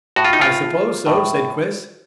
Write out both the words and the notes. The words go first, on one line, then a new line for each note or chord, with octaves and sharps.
"I suppose so," said Chris.
A2 F#4
F4
D#4
F4
A2